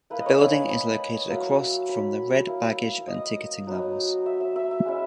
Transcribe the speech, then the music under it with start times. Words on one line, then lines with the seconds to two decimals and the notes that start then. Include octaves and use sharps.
The building is located across from the Red Baggage and Ticketing levels.
0.10 A#3 E4 B4
0.20 D#5
0.26 C#5
0.40 G#5
0.69 B5
1.29 F#3 A#3 E4
1.89 B5
2.48 A#3 E4
3.08 D#5
3.67 F#3 B3 D#4
4.26 E5
4.40 E5
4.56 E5
4.71 E5
4.85 G#3 C#4 E4 E5